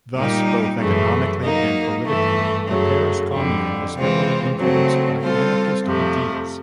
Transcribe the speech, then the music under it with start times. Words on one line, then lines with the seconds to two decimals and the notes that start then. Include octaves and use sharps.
Thus both economically and politically the Paris Commune was heavily influenced by anarchist ideas.
0.15 A#2 G3 A#3 D#4 G4
0.79 F#2 C#3 E3 A3
1.42 F#3 A#3 D#4
2.05 G2 E3 A3
2.67 F#2 C#3 F#3 A3
3.31 F2 D3 G3
3.94 C3 E3 G#3 C4 F4
4.57 C#3 F#3 A3 C4
5.21 G3 C4 F4 A4 C5
5.84 F2 C3 F3 A3